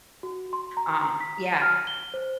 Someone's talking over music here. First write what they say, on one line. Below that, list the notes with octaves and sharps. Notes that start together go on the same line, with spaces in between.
um yeah.
F#4
C6
A#5
A#5
B6
D#7
F6
G7
C5